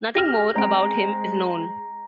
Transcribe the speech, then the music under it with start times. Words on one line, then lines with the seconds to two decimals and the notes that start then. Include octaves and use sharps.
Nothing more about him is known.
0.15 G4 F6 A#6
0.56 G#3 C4 A#5 D7